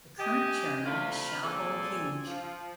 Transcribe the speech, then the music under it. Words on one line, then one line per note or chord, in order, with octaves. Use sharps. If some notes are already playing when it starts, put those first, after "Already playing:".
The current Chairman is Shao Hauje.
G4 D#5 G#5
C3 A3 D4 F4 A#4 B5
A#2 C4 G#4 A4 D5 G#5
F3